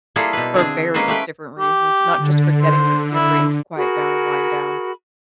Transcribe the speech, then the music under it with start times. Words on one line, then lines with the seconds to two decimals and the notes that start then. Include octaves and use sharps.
For various different reasons, not just for getting your brain to quiet down and wind down.
0.16 G3 A#3 E4 F4 G#4 A4
0.33 B2 B4
0.54 D3 C4 D4 G#4
0.94 G#3 A#3 C#4 B4 C5
1.08 A3 G4 B4 G5
1.60 G4
2.17 D3
2.62 C5
3.14 E4
3.77 F#4 G#4 A#4 B5